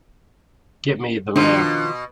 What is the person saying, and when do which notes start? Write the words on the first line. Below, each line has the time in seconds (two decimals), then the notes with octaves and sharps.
Get me the man.
1.36 B2 D#3 F3 D4 F4